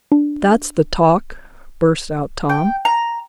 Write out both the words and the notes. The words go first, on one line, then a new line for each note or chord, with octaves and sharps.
"That's the talk!" burst out Tom.
D4
G5
A#5